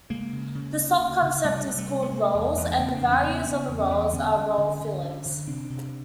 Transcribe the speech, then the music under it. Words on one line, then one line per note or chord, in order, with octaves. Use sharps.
The slot-concept is called roles and the values of the roles are role-fillers.
C#3 G#3 A#3
C#3
C#3
D2
D2
C#3
C3 G3 A3
C3
G3 A3
C3
B3
C3 G#3 A#3
E2
E2
C#3 A#3 C4
C4 D4
E2
B3 C#4
C#3
B3 C#4
C#3 B3 C#4
E2
B3 C#4
E2
D3 B3 C#4
D2
D3
D3
D3
D3
C3 C4 D4
C3